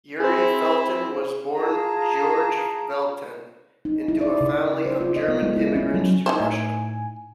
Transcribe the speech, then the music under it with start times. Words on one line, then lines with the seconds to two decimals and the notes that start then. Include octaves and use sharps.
Yury Felten was born Georg Veldten, into a family of German immigrants to Russia.
0.20 C4 E4 G#4 C5
1.54 F4 G#4 A5 A#5
3.85 D#4
4.08 E4
4.21 D5
4.41 C#3
4.86 C5
5.01 F4
5.16 D#5
5.28 B3
5.42 G#3
5.56 E4
5.76 C#4
5.94 F#3
6.26 D#4 E4 C5
6.40 A2 G#5